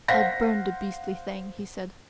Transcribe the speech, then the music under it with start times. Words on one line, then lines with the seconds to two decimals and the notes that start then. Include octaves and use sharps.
"I'll burn the beastly thing," he said.
0.08 C5 F5 F#5 A#6 B6